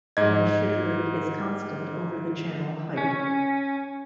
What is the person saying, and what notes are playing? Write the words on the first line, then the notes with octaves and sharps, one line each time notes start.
Then the shear rate is constant over the channel height.
G#2 D#5 G#6
C#4